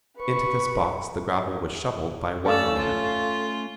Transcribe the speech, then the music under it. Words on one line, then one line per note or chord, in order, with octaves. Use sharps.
Into this box the gravel was shovelled by one miner.
B4 C#6
A3 C#4 A4 D5 F5 C#6 E6
F4